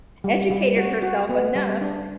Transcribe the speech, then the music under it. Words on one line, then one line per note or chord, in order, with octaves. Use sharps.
educated herself enough
G3
G3
F#4
F#4
B3
G3
D4